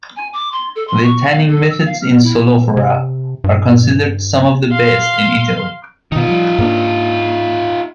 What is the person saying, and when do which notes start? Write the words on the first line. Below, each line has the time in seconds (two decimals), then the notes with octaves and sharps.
The tanning methods in Solofra are considered some of the best in Italy.
0.16 G#5
0.33 D6
0.52 C6
0.76 A4
0.88 C6
1.03 C#6
1.31 F5
1.48 A4
1.70 E6
1.86 F5
2.02 F6
2.23 E4
2.77 C3
3.44 G2
4.71 F5 C6
6.12 B2 D#3 D#4 F4
6.28 F3 G3
6.58 G#2 A#3 D4